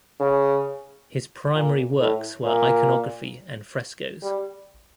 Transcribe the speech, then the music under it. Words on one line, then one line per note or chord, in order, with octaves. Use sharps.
His primary works were iconography and frescos.
C#3
A#2
A2
A#2
G3